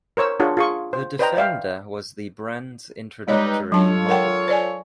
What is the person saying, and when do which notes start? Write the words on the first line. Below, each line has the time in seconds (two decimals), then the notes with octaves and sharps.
The Defender was the brand’s introductory model.
0.17 A#4 C5 C#5 E6
0.40 D4 F4 G#4 C#5 F#5
0.57 F4 G#4 C#6
0.93 C5
1.19 B4 C5 D5 D#5 G5 A#5
1.37 D5 E5 F5 G5
3.28 G3 G#3 D#4 B4 C#5 D#5
3.72 F#3 D4 F4 A4 C#5 A5
4.09 A#4 F#5 G5
4.48 C5 D5 G#5